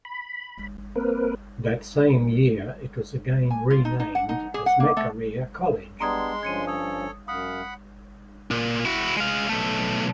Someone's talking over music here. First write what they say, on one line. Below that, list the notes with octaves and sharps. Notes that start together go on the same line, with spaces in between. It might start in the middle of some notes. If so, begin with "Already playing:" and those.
That same year it was again renamed as Makerere College.
B5
A#3 C4 A#4 B4
G#5
F4
D#4
D#4
F#5
D#4
G#4
F#5
A#3
A3
G3 G#3 B3 D4 A#5 C6 D#6 G#6
G2 F3 C#4 G#6 C#7 D#7
A4 C#5 D#6
F#2 F5 F#5 B5 D#6
A#2
E4 F#4
G#3 F5
B1 A3